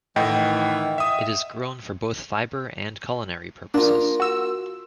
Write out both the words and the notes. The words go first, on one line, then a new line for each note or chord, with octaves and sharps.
It is grown for both fiber and culinary purposes.
A2 D#3 E3 D#5 F#5 G5
E5 D#6
A#3 D4 F4
F#4 E6